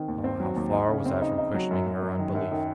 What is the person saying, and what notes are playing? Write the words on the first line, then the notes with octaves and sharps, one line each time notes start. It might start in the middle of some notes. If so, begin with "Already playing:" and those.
How far was I from questioning her unbelief!
Already playing: D#3 C4
D#2
C4
F#3
D#2
D#4
C#3
C4
D#4
D#4
F#3
F#2
F#2
F#2
D#3
F#2
D#3